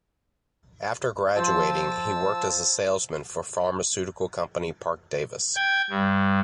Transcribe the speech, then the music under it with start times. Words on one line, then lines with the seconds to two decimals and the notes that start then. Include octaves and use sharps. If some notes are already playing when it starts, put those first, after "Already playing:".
After graduating, he worked as a salesman for pharmaceutical company Parke-Davis.
1.36 F3 C5 A5 E6
5.55 G5 G#6
5.90 G2